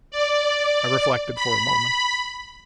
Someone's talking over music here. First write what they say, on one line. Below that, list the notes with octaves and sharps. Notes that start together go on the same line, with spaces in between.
I reflected for a moment.
D5
B5